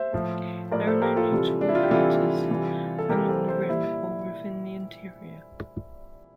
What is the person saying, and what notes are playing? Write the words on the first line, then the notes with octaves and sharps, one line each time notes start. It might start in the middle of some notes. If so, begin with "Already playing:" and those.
There are no notable craters along the rim or within the interior.
Already playing: C5 E5
A2 F3
A2 F3 A#4 D5
A4 C5
G4 A#4
F4 A4
C3 E3 G3
D4
E4
F4
G4
C3 E3 G3 F4 A4
C3 E3 G3
A4
C3 E3 G3 G4 A#4
A4 C5
A4 C5
A#2 G3 E4